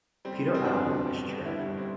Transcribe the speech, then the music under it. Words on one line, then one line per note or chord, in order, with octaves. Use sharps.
Peter Allen is chairman.
G3 C4
G3
C4
B2 D4
B2
G2
D3
G3 E4
G2
C4